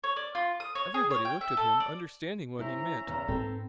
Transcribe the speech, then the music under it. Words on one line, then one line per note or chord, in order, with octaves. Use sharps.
Everybody looked at him, understanding what he meant.
C#5
D5
F4
D#6
C#5
G#4
C#5
G5
E5
A4
D5
C#4 E4 C5 E5 A#5
E2 C#3
G#2 C4 A4 B4